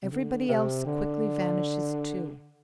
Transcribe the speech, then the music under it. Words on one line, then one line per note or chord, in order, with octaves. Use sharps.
Everybody else quickly vanishes too.
C3
D3
C3
D3